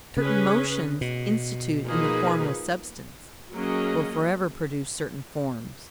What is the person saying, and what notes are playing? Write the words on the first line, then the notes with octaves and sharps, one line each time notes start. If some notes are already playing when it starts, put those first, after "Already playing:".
Certain motions instituted in the Formless Substance will forever produce certain forms.
C#3 C#4 G#4 B4
B2
F3 A#3 D#4 G#4 B4
F#3 A#3 C#4 G#4 D#5